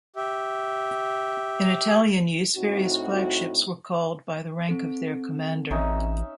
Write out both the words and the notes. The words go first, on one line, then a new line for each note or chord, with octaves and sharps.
In Italian use, various flagships were called by the rank of their commander.
G4 E5
A2 C4 D#4 F#4
C4 A4
A1 C#4 D#4 E5